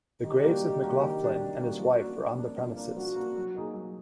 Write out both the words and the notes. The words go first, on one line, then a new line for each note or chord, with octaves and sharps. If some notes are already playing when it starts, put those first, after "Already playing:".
The graves of McLoughlin and his wife are on the premises.
D#3 G4
G3 A#3 D4 F#4
D#3
G3 A#3 D4 F#4
D#3
G3 A#3 D4 F#4
D#3
G3 A#3 D4 F#4
F3 F#4
A#3 D4
F3
A#3 D4
F3 F4
A#3 D4
F3 F#4
A#3 D4
F#3
A#3 D#4 G#4
F#3